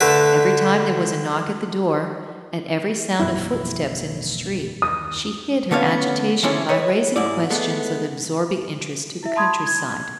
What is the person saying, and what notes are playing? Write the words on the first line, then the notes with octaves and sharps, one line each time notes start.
Every time there was a knock at the door, at every sound of footsteps in the street, she hid her agitation by raising questions of absorbing interest to the countryside.
D3 A3 A4 B4
E1 A#1 F#2 E4
D#2 D#6
D3 A3 B3 C#4 F5
E3 F3 G#3 A3 C#4 E4
B4 C#5 D#5 E5
G#2 E4 D5
G#3 A3 B3
E4 E5
A5 B5 C6 D#6 G#6
G#6